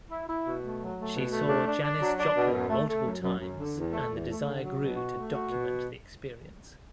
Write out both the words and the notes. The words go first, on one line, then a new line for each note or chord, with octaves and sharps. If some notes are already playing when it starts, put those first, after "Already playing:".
She saw Janis Joplin multiple times and the desire grew to document the experience.
E4
E4
B2
A3
F#3
A3
B2
A3
D4
D4
D4
F#3
D4
B2
F#2
A3
A3
F#2
F#2
F#2
D3
E2
A3
E2
A3
D3
F#3
B2
F#4
A3
F#4
B2